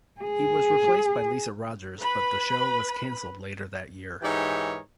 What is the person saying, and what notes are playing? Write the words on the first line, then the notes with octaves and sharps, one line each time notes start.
He was replaced by Lisa Rogers but the show was cancelled later that year.
G#4
B4 B5
G#2 E3 D#4 G4 A#4 C#5